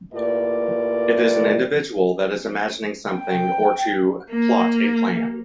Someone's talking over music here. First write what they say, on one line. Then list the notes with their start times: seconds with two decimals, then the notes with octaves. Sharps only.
It is an individual that is imagining something or to plot a plan.
0.13 A2 A#3 F4 G4 B4 D5
3.15 G5
4.31 A#3